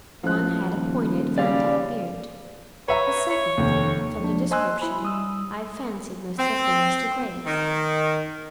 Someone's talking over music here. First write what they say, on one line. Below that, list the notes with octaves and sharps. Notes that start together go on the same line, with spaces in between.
One had a pointed Vandyke beard; the second, from the description, I fancied must have been Mr. Graves.
A1 F3 F#6
D#1
C#3 G3 D5 F5
B4 C#5 E5 A#5
C#5
F1 D#2
F3 A#3 D4
C5 D#5 G#5 C6 E6 F#6
E4 B5
G3 D#6 E6
C4
D#3